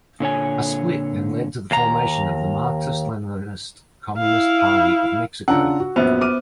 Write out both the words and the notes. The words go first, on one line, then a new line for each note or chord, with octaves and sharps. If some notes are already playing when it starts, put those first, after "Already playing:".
A split then led to the formation of the Marxist-Leninist Communist Party of Mexico.
A#2 D3 C#5 G#5
D#2 A#5
E4 F5
C#3 D4 F4 F#5 A#5 E6
F#4
A#1 F#2 B3 C5 E5
D6 F6 D#7